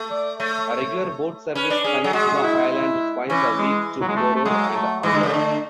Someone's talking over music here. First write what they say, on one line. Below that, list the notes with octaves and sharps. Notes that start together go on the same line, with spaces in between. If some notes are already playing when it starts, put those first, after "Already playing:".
A regular boat service connects the island twice a week to Koror and Angaur.
Already playing: A3
D5
A3 C#5
C#4 B4
D4
C#4 G#4
F#3 G#4
G#3 F#4
G#4
F#4
E4
E4
E3 C#4
G#3
F#3
G#3
A3
A3
F#3 G#3
A3
E3 G#3
D3
C#3
D3 A3